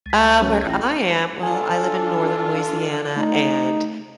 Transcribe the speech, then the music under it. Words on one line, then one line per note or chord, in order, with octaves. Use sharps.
Uh, where I am, well, I live in Northern Louisiana, and
C#2 G#3 A6 B6
C5 G7
F#2 B4 C#5 G6
A1 F4 G5 A#6
D4 F4 A4 G#5
A3 D#4